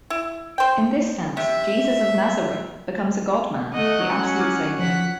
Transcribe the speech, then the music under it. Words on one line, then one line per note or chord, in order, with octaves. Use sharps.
In this sense, Jesus of Nazareth becomes a God-Man, the absolute saviour.
E4
C5 G5
C3 E5
A3 D#5 F#5
F#3 C#4
D6 F6 G#6
F3 F#5 B6